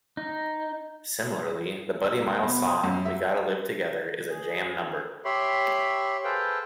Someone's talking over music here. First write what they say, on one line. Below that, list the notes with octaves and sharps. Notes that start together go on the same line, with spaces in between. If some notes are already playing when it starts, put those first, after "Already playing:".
Similarly, the Buddy Miles song "We Gotta Live Together" is a jam number.
D#4
E6
A#3
B2
D#6
F#2
E5
G#4
G4 C#5 E5 B5 C6
G#4 A4 B4 C5 F5 G5